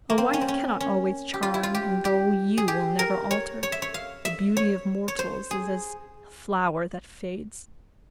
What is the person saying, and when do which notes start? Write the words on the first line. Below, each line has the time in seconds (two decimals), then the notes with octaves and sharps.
A wife cannot always charm, and though YOU will never alter, the beauty of mortals is as a flower that fades.
0.10 A#3
0.18 C4
0.33 C#4
0.41 C4
0.48 C#4
0.80 C#4
1.34 G4
1.43 F4
1.54 E4
1.63 F4
1.75 G4
2.05 G4
2.58 G#4
2.68 G4
2.99 A#4
3.31 C#5
3.63 C#5
3.72 E5
3.82 C#5
3.94 F5
4.25 E5
4.57 C#5
5.08 C#5
5.19 C5
5.51 G#4